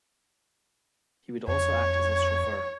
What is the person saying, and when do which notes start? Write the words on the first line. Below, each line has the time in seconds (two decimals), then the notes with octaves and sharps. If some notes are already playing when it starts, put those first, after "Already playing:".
He would also act as his chauffeur.
1.48 F2 C#5